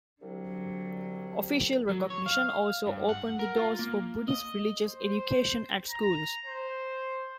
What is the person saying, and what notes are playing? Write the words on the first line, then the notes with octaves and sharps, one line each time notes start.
Official recognition also opened the doors for Buddhist religious education at schools.
C2 D3 F#3
F#3
C#5
F5
G2
F#5
A#4
F4
A#3
D#5
C5
A#5
C5